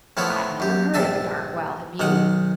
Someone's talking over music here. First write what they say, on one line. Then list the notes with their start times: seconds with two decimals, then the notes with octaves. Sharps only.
"I've never heard of a dark well; have you?"
0.17 A2 F3 B3 E4 C#5
0.60 F#2 G4
0.94 A#1 G2 A4 E5 G#5
2.00 B1 D#3 F#5